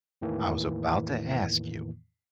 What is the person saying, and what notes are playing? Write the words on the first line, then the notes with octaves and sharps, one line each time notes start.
I was about to ask you.
E2 A2 D#3 E3 A#3